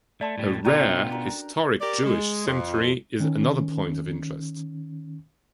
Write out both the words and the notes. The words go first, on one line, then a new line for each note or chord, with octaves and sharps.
A rare historic Jewish cemetery is another point of interest.
A3 D5 A5 C6
A2 G3
B2 B3 C#4 D4 F4 D5 G5 A#5
F#4 A#4 C6
G4 A#4 D5
G#3
F2
D#3 C#4